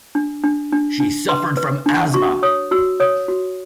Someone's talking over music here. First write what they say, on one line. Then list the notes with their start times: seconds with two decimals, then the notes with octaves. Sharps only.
She suffered from asthma.
0.15 D4
0.44 D4
0.73 D4
1.00 D4
1.29 B4 C6
1.57 B4
1.86 D4
2.14 F#4 C#6
2.43 C#5 D#6
2.71 F#4 E6
3.00 C#5 D#6
3.28 F#4